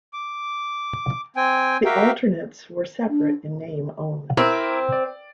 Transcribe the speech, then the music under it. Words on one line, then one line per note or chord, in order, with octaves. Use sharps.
The Alternates were separate in name only.
D6
C4 G5 G#5
F#4 G4 A#4 E5 F5 G5
D4
C4 E4 G4 A#4
D5